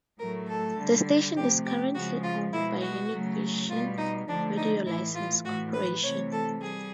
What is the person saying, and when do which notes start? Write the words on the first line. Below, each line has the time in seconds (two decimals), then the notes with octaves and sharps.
The station is currently owned by Univision Radio License Corporation.
0.19 A2 F#3 A3 A#4
0.48 A4
0.77 D3 G3
1.36 C3 F3 A3 G4
1.65 G4
1.94 C#3 F3 G#3 F#4
2.23 F4
2.52 B2 G#3 E4
2.82 F#4
3.12 C#3 F#3 A3
3.70 B2 G3 F4
3.98 D#4
4.28 D3 F3 A3 D4
4.57 D#4
4.86 A2 E3 A3 E4
5.15 F4
5.45 A2 E3 A3 F#4
5.74 B4
6.03 C3 E3 A3 C#5
6.32 A4
6.61 G3 G#4